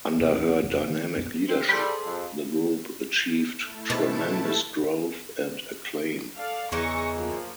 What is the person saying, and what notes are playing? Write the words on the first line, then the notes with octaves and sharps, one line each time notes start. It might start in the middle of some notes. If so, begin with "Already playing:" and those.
Under her dynamic leadership, the group achieved tremendous growth and acclaim.
D#1 E2 C3
D1 E2
B1 C4
F1 E2 C3
D#3 A3
A#1 F2 B3
C4
G3 G#4 A4 C5
F2
A3 E4 A5
E2 G#2 B2 B4
A4 D5 F5
E2 C#3 E3 D#4 C#6 A#6 C#7
F#2 F3 A#3